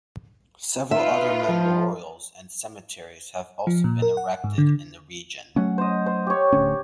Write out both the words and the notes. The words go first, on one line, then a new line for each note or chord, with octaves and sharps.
Several other memorials and cemeteries have also been erected in the region.
D#4 F4 B4 E5
F3
F3
A#2
A#4
F#5
G#2
D3
F#3 A3 C#4 F#5
C5 D#5
C5
G4 C#5
D1 D2 C#4